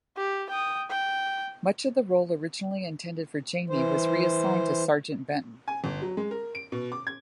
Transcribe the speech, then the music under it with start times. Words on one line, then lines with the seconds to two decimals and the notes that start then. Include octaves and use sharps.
Much of the role originally intended for Jamie was reassigned to Sergeant Benton.
0.17 G4
0.49 G5 D#6
0.90 G5
3.70 E3 C5
5.68 G#5
5.84 G1
6.02 F#3
6.17 G#3
6.31 A#4
6.55 D7
6.72 B2
6.92 D6
7.07 G#6